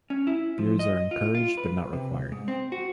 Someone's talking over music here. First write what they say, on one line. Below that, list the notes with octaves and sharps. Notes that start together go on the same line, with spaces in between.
Beards are encouraged but not required.
C#4
E4
F3
D#5
F4
F4
B4
C3
G#2
C4
F#4